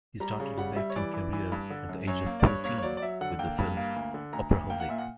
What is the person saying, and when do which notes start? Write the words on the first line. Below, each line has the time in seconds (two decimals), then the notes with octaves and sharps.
He started his acting career at the age of thirteen with the film "Opraholic".
0.20 G3 A#5
0.40 C#3
0.57 G3 F#5
0.76 G3 E5
0.90 C#5
0.96 E3 D5
1.14 E3
1.33 E3
1.52 G2
1.70 D3
1.89 F#2
2.08 F#2 C#5
2.26 A#3
2.40 D5
2.45 G2 C#5
2.64 A#3 C#5
2.78 C#5
2.82 F#3 D5
2.97 D5
3.02 F#3 E5
3.21 D3 F#5
3.39 A#3 G5
3.58 G2
3.77 A#3
3.96 D2
4.14 D3
4.33 D2 A#5
4.51 D2
4.70 A#3 G5
4.80 F#5
4.89 A#2 E5
4.98 F#5